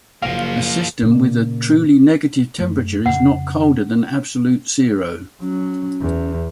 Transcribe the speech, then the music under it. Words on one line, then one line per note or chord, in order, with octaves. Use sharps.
A system with a truly negative temperature is not colder than absolute zero.
F#1 F3 A#3 F5
A#2 C#3 A#3
F#2 A3
F2 C#3 F#5
F#3 C#4
E2